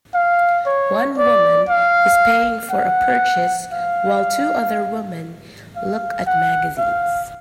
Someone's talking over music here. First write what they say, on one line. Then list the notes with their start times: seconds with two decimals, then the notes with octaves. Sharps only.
One women is paying for a purchase while two other women look at magazines.
0.15 F5
0.66 C#5
1.17 D5
1.69 F5
2.71 F#5
3.73 F5
5.77 F5
6.27 F#5
6.78 F5